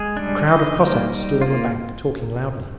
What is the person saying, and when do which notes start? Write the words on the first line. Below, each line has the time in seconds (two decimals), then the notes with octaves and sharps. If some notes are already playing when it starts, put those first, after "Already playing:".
A crowd of Cossacks stood on the bank talking loudly.
Already playing: G#3 G#4
0.17 G3 D4
0.47 D3 D#4 D#5
0.79 G3 A#3
1.10 G3
1.42 A#3 F4